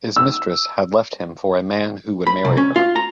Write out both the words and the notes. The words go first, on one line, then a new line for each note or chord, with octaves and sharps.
His mistress had left him for a man who would marry her.
E6
B5
C2
C#4
F4
A#5